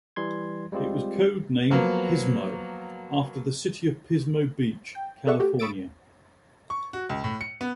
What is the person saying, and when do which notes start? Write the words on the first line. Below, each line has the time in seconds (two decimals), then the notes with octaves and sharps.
It was code named "Pismo" after the City of Pismo Beach, California.
0.16 E3 G3 C6 G#6
0.72 G3 G#3 C4 F4 G4
1.70 F3 F#3 A#3 B3
4.95 G5
5.27 G#4 A4 D5 E5 F#5 C#6
5.39 A3 F#4 G4
5.59 B5 C#6 D#6 E6 A6 D7
6.70 C#6
6.93 F#4
7.09 C#2
7.24 A2
7.41 C#7
7.61 B3